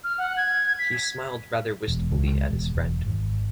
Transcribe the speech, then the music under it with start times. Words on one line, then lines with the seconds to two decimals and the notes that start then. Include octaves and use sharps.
He smiled rather wistfully at his friend.
0.04 F6
0.18 F#5
0.37 G#6
0.79 B6
1.88 E1
2.11 C#2
2.51 E1
2.75 E1
3.06 G#1